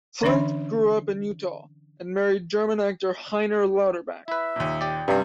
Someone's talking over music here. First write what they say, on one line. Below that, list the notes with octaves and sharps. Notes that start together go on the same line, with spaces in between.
Flint grew up in Utah and married German actor Heiner Lauterbach.
D3 E3 C#4 D4 E5 B5
E4 B4 E5
D#2 A#2
G4 D5
G2 C3 G3 C#4